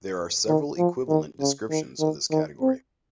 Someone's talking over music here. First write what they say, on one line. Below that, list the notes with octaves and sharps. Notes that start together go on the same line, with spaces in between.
There are several equivalent descriptions of this category.
D#3
F3
D#3
C#3
D#3
D#3
D#3
C4